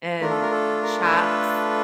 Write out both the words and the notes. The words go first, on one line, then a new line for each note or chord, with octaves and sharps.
And shops
A3 D4 F4 A#4
A4
A#4
A4
A#4
A#4
A4 B4